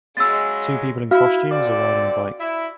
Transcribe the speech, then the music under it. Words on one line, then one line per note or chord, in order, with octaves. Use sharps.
Two people in costumes are riding a bike.
C#3 F#3 G#3 E6 A6
E4 F#4 F5 F6
D3 C4 D5
E4